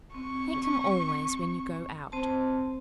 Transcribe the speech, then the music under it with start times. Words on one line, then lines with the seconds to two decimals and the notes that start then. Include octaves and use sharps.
Thank him always when you go out.
0.14 C4 C#6
2.12 C4 C5 A5